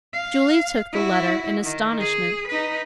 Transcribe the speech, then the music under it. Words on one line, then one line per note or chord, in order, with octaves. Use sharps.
Julie took the letter in astonishment.
F5
E4 F#4
D#3
G#4
D#4 B4